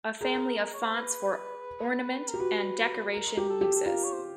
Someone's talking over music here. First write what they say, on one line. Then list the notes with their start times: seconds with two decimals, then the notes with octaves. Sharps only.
A family of fonts for ornament and decoration uses.
0.21 G#4 A#4
0.58 A#4
0.73 C#5
0.83 C5
0.94 B4
2.29 A#4
2.34 G4
2.40 F#4 B4
3.13 A#4
3.37 G4
3.50 A4
3.61 G4
3.75 A4
3.85 F4 A#4
4.04 C#5
4.13 C5